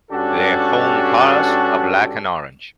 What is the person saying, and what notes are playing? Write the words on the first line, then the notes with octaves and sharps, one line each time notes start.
Their home colours are black and orange.
G2 C#4 D4 F#4 G4 A4